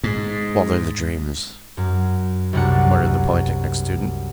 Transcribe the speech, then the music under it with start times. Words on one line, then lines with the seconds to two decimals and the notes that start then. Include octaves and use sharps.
"Bother the dreams!" muttered the Polytechnic student.
0.04 G#2
1.77 F#2
2.53 C2 F#2 C3 D4 F#5